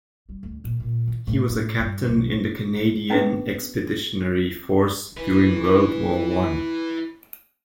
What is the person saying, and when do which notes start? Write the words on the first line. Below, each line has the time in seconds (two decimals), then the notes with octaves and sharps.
He was a captain in the Canadian Expeditionary Force during World War One.
0.29 G3
0.43 D2
0.64 A#2
0.80 A#2
1.07 E3
1.27 A2
1.49 A2
1.79 G2
2.09 B1
3.10 B3 C#4 D4 B4
5.17 E4 B4